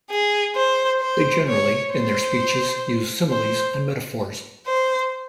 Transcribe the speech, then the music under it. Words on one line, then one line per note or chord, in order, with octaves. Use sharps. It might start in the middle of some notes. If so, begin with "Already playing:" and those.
They generally in their Speeches use Similies and Metaphors.
G#4
C5
C5
C#5
C5
C5
C5